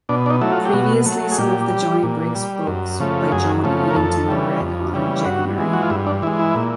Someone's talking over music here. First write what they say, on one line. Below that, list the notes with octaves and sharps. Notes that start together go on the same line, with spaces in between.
Previously some of the Jonny Briggs books by Joan Eadington were read on Jackanory.
B2 D4
D4
D#4
F#3 A3 E4
F4
G4
B2 F#4
F#3 A3
G#4
A#2 G4
G3
A#2
G3
F#2
C#3 F3 A3
F#2 G#4
C#3 F3 A3
A#4
F2 A4
C#3 E3 G3
F2
C#3 E3 G3
G2 F#4
E3 G#3
F#4
F4
G2 E4
D4
E3 G#3 E4
E4
A#2